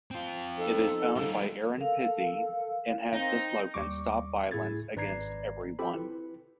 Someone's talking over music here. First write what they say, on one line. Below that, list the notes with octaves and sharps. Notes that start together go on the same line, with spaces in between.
It is owned by Erin Pizzey and has the slogan "Stop Violence Against Everyone".
C4 F4
F3 D#4 A4
G3 F4
A4 A#4 F5
C4 D#4
D#2 G3 C#6 D6
A2 E4 G#4 G#6 A6
G#1 B4 D5 A#5 G#6 C7
C4 F4 G4 A4 B5
E4 B4